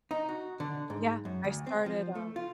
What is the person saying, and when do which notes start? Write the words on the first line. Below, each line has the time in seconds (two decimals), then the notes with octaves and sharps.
Yeah, I started, um,
0.11 D#4
0.29 F#4
0.60 D3
0.90 G#2
1.25 F#2
1.44 D2
1.66 C4
1.86 F3
2.15 A3
2.36 F4